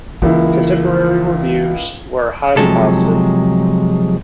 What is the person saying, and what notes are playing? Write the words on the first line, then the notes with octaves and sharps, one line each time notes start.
Contemporary reviews were highly positive.
C#2 C#3 E3 A#3 E4
C3 F3 F#3 G#3 A4